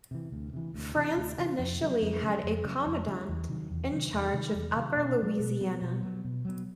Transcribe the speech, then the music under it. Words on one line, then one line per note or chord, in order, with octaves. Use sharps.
France initially had a commandant in charge of Upper Louisiana.
C3 E3
D2
C3 E3
D2
C3 E3
D2
C3 E3
F2
C#3 F#3
F2
C#3 F#3
F2
C#3 F#3
F2
C#3 F#3
E2
C3 D#3 F#3
E2
C3 D#3 F#3
E2
C3 D#3 F#3
E2
C3 D#3 F#3
B2
F#3 B3
B2
F#3 B3
B2
F#3 B3
B2
F#3 B3